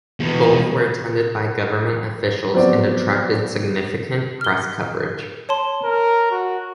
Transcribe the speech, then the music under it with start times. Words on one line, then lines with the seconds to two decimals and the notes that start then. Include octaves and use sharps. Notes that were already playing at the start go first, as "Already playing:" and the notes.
Both were attended by government officials, and attracted significant press coverage.
0.20 E2 B2
2.54 F3 F#3 B3 C4 D5
4.41 F6 G7
5.49 C#5 A5 C6
5.84 A#4
6.31 F#4